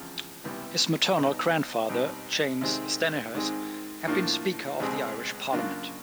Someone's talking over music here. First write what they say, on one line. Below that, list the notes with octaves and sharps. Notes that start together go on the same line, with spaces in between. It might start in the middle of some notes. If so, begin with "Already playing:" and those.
His maternal grandfather, James Stanihurst, had been speaker of the Irish parliament.
Already playing: E2 C#3 F3 G#3 C4
C#2 C3 E3 G3 B3
B2 G3 B3 D#4
B2 G3 C4 D#4
C3 D#3 G#3 C4
G#2 D#3 G#3 C4
A2 F3 A#3 D4
C#2 B2 G#3 C4
C#3 F#3 A#3 D4 F4